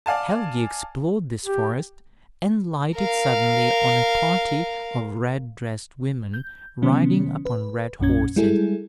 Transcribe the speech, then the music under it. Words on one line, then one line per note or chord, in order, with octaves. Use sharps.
Helgi explored this forest, and lighted suddenly on a party of red-dressed women riding upon red horses.
D5 F5 G#5 A5
G4
A#4 F5
G6
C3 D#3 F#3 B3 C#4
B4
A#1 F#2 A#2 C#4 G#6
G3 G#3 E4 G#4 A4